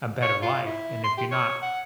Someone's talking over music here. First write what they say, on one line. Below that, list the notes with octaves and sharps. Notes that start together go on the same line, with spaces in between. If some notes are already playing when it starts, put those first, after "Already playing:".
a better life, and if you're not
C#5
F4
E4
C6
G4
C#5
F#5